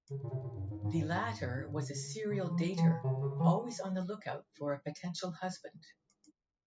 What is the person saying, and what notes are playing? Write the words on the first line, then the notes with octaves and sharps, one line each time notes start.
The latter was a serial dater, always on the lookout for a potential husband.
C#3
A#2
C3
A#2
G2
G#2
G#2
G#2
G2
G#2
C3
C#3
C#3
F3
E3
C3
C#3
E3